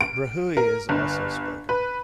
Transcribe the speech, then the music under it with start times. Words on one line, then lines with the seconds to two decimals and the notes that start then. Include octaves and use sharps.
Brahui is also spoken.
0.01 D7
0.57 A#4
0.89 G1
1.69 B4